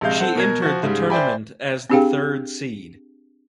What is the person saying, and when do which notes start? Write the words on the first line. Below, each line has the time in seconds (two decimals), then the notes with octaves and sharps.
She entered the tournament as the third seed.
0.01 A#1 C3 G#3 F5 G6
0.20 C4 A4 C5 F#5
0.35 B2 A#4 G#6
0.62 F3 F#4
0.83 G#2 C#3 G3
1.10 C5 D5 E5 G5 G#5 B5
1.90 C4 D4 G4 G#4 F5 G5